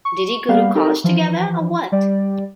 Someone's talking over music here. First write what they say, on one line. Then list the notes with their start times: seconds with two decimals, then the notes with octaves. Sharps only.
Did you go to college together, or what?
0.05 C#6
0.48 G3 A#3 B3 F5
0.74 C4 D#4 G4 A4 A#4
1.04 E3 F3
1.92 G3 D5